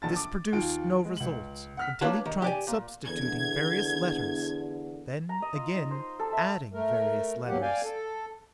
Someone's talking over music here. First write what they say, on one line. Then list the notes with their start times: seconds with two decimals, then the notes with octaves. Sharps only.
This produced no result, until he tried substituting various letters; then, again, adding various letters.
0.02 A#1 A5 A6
0.16 D6
0.52 D#2 F4 D7
1.05 G#3
1.17 C#2 F#7
1.77 F#5 F6 B6
2.01 A#3 D4 F4 B4 C#5 A5
2.25 D#3
2.42 G4 D5 G#5
2.67 A#2
3.05 E2 D3 G#6
5.29 A#5
5.42 D#5
5.55 F4
5.74 D#4
5.91 C5
6.19 A4
6.33 E5
6.74 A3 A#4
7.47 D2 B2 F#3 A#3 G4 F#5
7.62 D5 F5 G5 G#5
7.84 A4